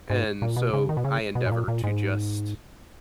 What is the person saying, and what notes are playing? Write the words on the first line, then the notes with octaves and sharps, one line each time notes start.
and so I endeavor to just
G#2
A#2
B2
C#3
D#3
B2
C#3
B2
G#2
A#2
A#2
G#2